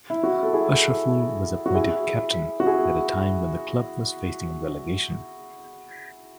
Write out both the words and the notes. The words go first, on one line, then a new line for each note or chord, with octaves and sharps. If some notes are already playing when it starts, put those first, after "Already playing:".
Ashraful was appointed captain at a time when the club was facing relegation.
E4
F#4
A4
E4 G#4
F#4
E4 G#4
F#4
E4 G#4